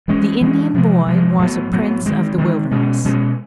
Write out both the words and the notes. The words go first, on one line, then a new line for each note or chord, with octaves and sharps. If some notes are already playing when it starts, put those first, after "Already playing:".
The Indian boy was a prince of the wilderness.
E3 G#3 C#4
E3 G#3 C#4
C3 F3 G#3
C3 F3 G#3
A2 F#3 B3
A2 F#3 B3
D#3 G#3 C4
D#3 G#3 C4
B2 G#3 C#4
B2 G#3 C#4